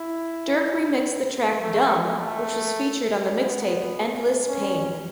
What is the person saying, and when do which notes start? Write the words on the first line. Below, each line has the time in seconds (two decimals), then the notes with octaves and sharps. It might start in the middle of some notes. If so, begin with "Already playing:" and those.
Durk remixed the track "Dum" which was featured on the mixtape "Endless Pain".
Already playing: E4
1.62 A3
2.19 A3
3.34 B3
4.47 C#4